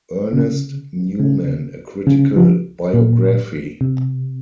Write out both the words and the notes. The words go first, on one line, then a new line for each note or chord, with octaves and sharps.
"Ernest Newman: A Critical Biography".
C#3
C#3
C#3
F3
A#2
C3